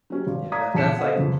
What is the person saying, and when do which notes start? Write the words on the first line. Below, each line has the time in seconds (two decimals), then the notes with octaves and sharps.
Yeah. That that's like
0.10 F#3 C#4 G4
0.27 G#1
0.52 D5 F5 A#5 D#6 G#6 B6
0.74 A#1 E2 A5 B6 C#7 E7
0.99 A4 C5 D#5 F5 F#5
1.16 G1 F2 C#3